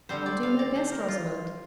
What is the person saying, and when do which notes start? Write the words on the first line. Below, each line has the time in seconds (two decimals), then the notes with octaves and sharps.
'I'll do my best, Rosamond.
0.09 D3 G3 C4 C5
0.26 D5
0.43 F5
0.59 D5
0.76 C5
0.92 A#4
1.08 F4